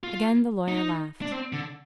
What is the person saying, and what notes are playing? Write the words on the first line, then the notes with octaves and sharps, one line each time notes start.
Again the lawyer laughed.
F4
D#4
D4
C4
D3